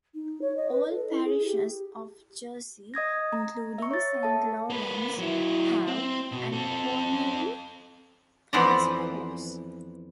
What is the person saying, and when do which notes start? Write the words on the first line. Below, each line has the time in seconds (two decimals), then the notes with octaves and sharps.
All parishes of Jersey, including Saint Lawrence, have an Honorary Police force.
0.14 D#4
0.42 C#5
0.57 D#5
0.71 B4
0.90 A4
1.10 E4
1.25 G#4
1.45 G4
2.94 D#5 D#6 G#6 A#6
3.33 A#5
3.78 E5 C#6
3.91 C#5 A6
4.23 A4 E5 A5
4.70 A#3 B4
5.19 F#3 E4
5.87 C4
6.32 B2
6.53 C4 A4
8.53 F2 E3 B3 C5 D5 A#5